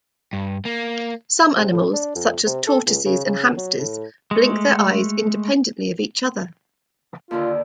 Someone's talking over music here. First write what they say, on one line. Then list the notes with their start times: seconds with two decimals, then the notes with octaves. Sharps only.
Some animals, such as tortoises and hamsters, blink their eyes independently of each other.
0.33 G2
0.65 A#3
1.56 C3
1.72 A2
1.93 D4
2.15 F2
2.46 C3
2.67 A4
2.86 C#2
3.06 C#3
3.25 C#3
3.57 F#3
3.79 A2
4.31 G#3 A3
7.31 D#2 D3 D#3 F4